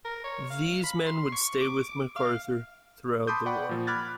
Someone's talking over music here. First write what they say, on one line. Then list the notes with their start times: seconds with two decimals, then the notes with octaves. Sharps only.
These men would stay with MacArthur throughout the war.
0.05 A#4
0.24 C#5
0.51 F5
0.84 B5
1.07 C6
1.33 C#6
1.61 D6
2.16 F5
3.27 A5 B5 C6 D6 D#6 G6
3.46 D5 F#5 G5 B5 C#6
3.69 A#2 F3
3.87 B5 D6 F6 F#6 G#6 A6